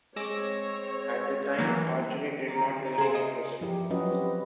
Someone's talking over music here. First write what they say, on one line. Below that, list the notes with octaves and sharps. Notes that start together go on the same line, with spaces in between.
At the time archery did not really interest me.
G#3 C4 C#5 D6 E6 A#6
E3 F#3 A#3
D3 D#3 F#3
D#4 A#5
C#3 G#4 C5 E5
D#5
F3 E4 G4
F#3 C#4 F4 F#4 B4 D#5
C4 G4 B4